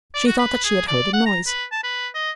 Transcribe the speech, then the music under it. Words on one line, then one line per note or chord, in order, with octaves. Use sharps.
She thought that she had heard a noise.
D5
F#4
B4
G#4
D5
F#5
A#5
B4
A5
B4
D#5